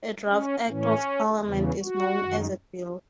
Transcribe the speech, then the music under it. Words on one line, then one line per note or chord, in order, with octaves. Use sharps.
A draft Act of Parliament is known as a bill.
C#4
A2 E3 C#4
E2 C#3 E3
F#4
F#2 D#3